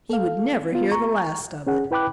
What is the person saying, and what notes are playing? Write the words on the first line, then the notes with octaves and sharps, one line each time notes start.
He would never hear the last of it.
A4 F5
B3 F4
A#5 C#6
C#4 G#4 F#5
E4 B4 G5 B5 D6 F#6